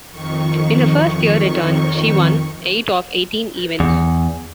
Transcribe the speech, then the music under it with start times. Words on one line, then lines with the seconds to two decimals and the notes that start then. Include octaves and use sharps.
In her first-year return, she won eight of eighteen events.
0.11 F2 D#3 C#6
3.80 E2